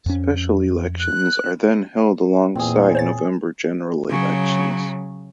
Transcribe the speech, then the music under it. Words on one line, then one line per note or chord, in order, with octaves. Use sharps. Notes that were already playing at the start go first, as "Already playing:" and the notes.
Special elections are then held alongside November general elections.
F2 C#4
F#6
E2 A#2 C4 G#4
C5 C#5 A6
C#3 F#3